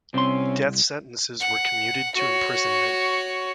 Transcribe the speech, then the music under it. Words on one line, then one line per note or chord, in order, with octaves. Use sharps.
Death sentences were commuted to imprisonment.
C2 C3 C4 C#4 C6
F#5
F#4 C#5